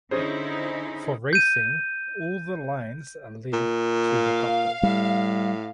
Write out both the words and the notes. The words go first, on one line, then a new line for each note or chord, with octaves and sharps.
For racing all the lines are led to the cockpit.
D3 C#4 D#4 E4 G#4 C5
G6 D#7
A#2
F5
A2 G3